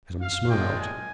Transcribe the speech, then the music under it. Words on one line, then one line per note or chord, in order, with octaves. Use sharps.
Adam smiled.
F5
G#3 D4 F4 G5
G#5